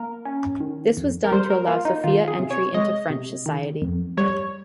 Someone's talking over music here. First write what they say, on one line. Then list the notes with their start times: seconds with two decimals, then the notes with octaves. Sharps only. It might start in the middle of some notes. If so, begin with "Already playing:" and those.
This was done to allow Sophia entry into French society.
Already playing: A#3 A#4
0.25 C#4
0.60 D#3
0.97 F2
1.24 A#4
1.32 G3 C5
1.50 A#4
1.67 A#3 F4
1.85 D#4
2.04 D#3 F4
2.28 G#4
2.39 C3
2.51 C#5
2.74 G#3 D#5
3.10 C3
3.46 D#3
3.82 F2
4.17 G3 C#5